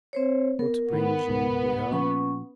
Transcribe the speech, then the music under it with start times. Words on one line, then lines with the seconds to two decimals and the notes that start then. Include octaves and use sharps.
"What brings you here?"
0.13 C4 C5 C#5
0.59 B3 A#4
0.93 D#3 B3
1.29 C#2 G#2 B2
1.91 A#2 F3 C#4 C#6